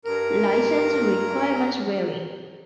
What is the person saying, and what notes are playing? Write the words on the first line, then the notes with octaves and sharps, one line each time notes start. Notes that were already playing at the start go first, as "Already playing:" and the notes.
License requirements vary.
G2 A#4